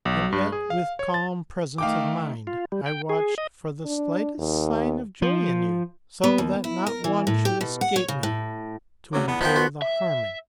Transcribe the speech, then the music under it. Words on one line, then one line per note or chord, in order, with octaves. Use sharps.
And yet with calm presence of mind I watched for the slightest sign of joy in you, so that not one should escape me to impair the harmony.
B1
G2
G#4
F5
C#5
A6
D#3 A3 F5 G5 D6
F4
G3
G5
G#4
D#5
D4
D#2
F3
B3
D#2
E4
A#4
E3
A2
G4
B2
F#5
C#5
C#3
A2
D2 F#3 C#4 D6
E2 B3 F#5
F3 B3 D#4 F4 G5
F#4 C6
E5